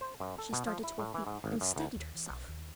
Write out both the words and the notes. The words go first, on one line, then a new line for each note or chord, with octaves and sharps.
She started to her feet, and steadied herself!
C5
F#2
A4
B2
F3
E4
A2
E3
G#2
G#1
F#2
D2
D#2
E3
B1
D#2